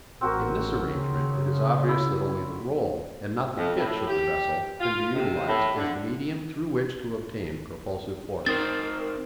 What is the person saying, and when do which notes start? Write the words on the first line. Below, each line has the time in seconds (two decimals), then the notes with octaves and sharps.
In this arrangement it is obvious that only the "roll" and not the "pitch" of the vessel can be utilised as the medium through which to obtain propulsive force.
0.21 A1 C4 F#4 A#4
0.92 C#3
1.88 E4
3.56 F2
3.76 A2
4.07 G4
4.79 F4
5.12 C3
5.46 A2
5.75 D3
8.46 C4 D#4 A#4 C5 A6